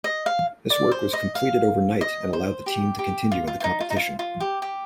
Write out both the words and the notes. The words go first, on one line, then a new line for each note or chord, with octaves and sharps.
This work was completed overnight and allowed the team to continue in the competition.
D#5
F5
D5
C5
D#5
F5
D#5
C5
G4
G4
F4
F4
F4
D#4
F4
D#4
F4
F4
G4
G4